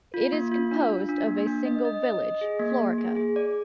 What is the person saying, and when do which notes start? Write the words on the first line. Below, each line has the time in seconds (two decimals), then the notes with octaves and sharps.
It is composed of a single village, Florica.
0.14 F4
0.32 A#3
0.52 F4
0.71 D4
0.90 F4
1.09 D4
1.27 A#3
1.47 D4
1.65 D#5
1.85 D#5
2.03 D#5
2.23 D#5
2.41 G#4
2.60 A#3
2.79 A#3
2.98 G#4
3.16 G#4
3.36 D5